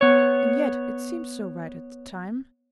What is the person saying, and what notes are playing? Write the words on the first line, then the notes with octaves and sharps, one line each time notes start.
And yet it seemed so right at the time.
B3 C#5